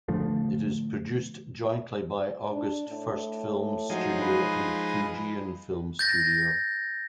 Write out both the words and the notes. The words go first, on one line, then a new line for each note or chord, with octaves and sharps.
It is produced jointly by August First Film Studio and Fujian Film Studio.
A2 D3 F3 A3
D4
A2
F3 F#3 G#3 D#4
F4 B4
G6 A6 A#6